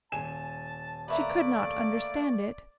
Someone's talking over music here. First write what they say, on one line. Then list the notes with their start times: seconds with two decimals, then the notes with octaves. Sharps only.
She could not understand it.
0.12 D#1 G#5 A5 E7
1.08 A3 A#3 B4 D5 E5 A#5